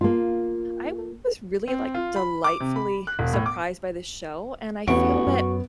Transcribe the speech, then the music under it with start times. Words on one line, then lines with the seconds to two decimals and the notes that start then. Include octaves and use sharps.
I was really, like, delightfully surprised by this show, and I feel that
0.01 A#3 F4
1.68 C4
1.94 F4
2.16 B5
2.44 D6
2.60 C3
2.76 B5
3.07 F#6
3.19 E1
3.33 A2
3.46 D6
4.88 A1 E2 B3 F#4 C#5 D7
5.27 F#2